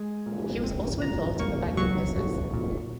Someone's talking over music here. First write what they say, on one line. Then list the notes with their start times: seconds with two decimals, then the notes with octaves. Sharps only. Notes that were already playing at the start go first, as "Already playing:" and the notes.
He was also involved in the banking business.
Already playing: G#3 G#5
0.26 A#2
0.63 C4
1.02 F3 A#5
1.39 A#3 C#6
1.77 F#3 C#6
2.15 F#3
2.53 A#2